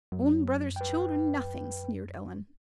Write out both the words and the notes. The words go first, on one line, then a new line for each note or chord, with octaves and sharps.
"Own brother's children, nothing!" sneered Ellen.
F#2 F#3
B4 G5